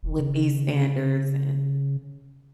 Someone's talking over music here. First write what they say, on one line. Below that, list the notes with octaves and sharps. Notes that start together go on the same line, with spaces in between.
with these standards and
E1
C#3